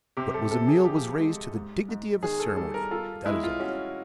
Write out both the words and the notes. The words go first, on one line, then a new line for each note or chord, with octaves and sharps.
What was a meal, was raised to the dignity of a ceremony, that is all.
C3 G4
A4
C3 A4
G#4
F3 G4
G#3
G#2
G#2
D#3 G#4
A4
G3 A4
A#4
F4 A4
G#3 E4
F4
C#4 F#4